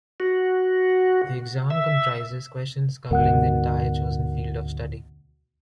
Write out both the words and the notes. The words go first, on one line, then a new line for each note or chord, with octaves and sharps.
The exam comprises questions covering the entire chosen field of study.
F#4
E5
D2 G#2 B2 A#4 F#5 F#6